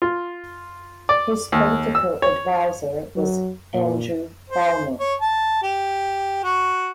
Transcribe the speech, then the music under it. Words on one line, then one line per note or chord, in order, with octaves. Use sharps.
His political adviser was Andrew Palmer.
F4
D5
D#2
E6
C#5
F#3
A#2
C5
C#5
A5
G4
F#4